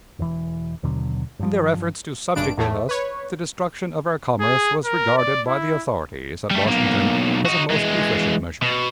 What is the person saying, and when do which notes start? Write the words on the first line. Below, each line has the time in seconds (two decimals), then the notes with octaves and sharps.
In their efforts to subjugate us, the destruction of our commerce was regarded by the authorities at Washington as a most efficient measure.
0.19 E1 E3
0.83 D#2 B2 D3 F#3
1.39 G2 F3
2.35 G#1 G2 D4 D7
2.57 E2 A2 A3
2.89 B4 C#5
4.40 G#4
4.85 A#4
5.17 D5
5.47 E4
6.50 G3 A3
6.67 B1 A#3
7.46 D#4 F#4
7.70 E3 G#3
8.62 B2